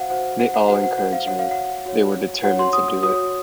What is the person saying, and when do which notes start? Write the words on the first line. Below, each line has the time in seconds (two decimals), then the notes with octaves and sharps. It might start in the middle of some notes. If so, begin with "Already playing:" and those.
They all encouraged me; they were determined to do it.
Already playing: F#4 C5 F5 F#5
0.10 F#4 C5 F#5
0.39 F#5
0.54 F#5
0.68 F#4 C5 F#5
0.83 F#5
0.98 F#5
1.13 F5
1.27 F#4 C#5 F#5
1.39 F5
1.51 F#5
1.86 F#4 C#5
2.44 F#4 C#5 F#5
2.59 C6
2.73 D#6
2.88 D#6
3.03 F#4 C#5 D#6